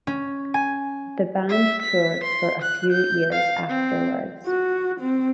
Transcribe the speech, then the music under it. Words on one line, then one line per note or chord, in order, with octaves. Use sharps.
The band toured for a few years afterwards.
C#4
G#5
E5
B6
C6
F#6
G6
F5
C4
F#4
C4